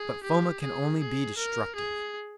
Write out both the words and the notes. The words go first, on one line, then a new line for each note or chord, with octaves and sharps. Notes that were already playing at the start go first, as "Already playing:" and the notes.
But Foma can only be destructive.
Already playing: G#4
G4
G#4
G#4
A#4
G#4